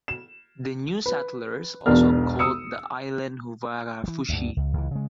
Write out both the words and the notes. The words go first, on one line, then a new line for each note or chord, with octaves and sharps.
The new settlers also called the island 'Huvarafushi'.
E7
B4
E1 B1 E2 D4 A#4 F6
D#6 E6 C#7
E3 G3
D2 G2
C#2
C#2 E3
C#3 G#3